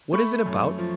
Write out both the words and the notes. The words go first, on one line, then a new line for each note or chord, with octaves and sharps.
What is it about?
A3 B5 C#6
F#2
F3